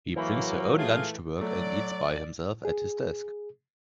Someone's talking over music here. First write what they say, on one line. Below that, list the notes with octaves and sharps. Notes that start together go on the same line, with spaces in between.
He brings her own lunch to work, and eats by himself at his desk.
C3 E3 F#3 A3 A#3
A3 A#3 F4 G#4
F#3 A3 D5
G#4